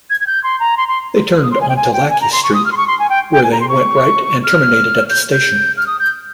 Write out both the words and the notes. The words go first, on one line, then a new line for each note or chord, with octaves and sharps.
They turned onto Lackey Street, where they went right and terminated at the station.
G#6
G#6
G6
C6
A#5
C6
C6
D#6
C6
G#5
G5
G#5
G5
G#5
A#5
C6
C#6
D#6
F6
C6
C#6
C6
G#5
G5
G5
G#5
A#5
C6
C#6
F6
G6
G6
F6
D#6
G6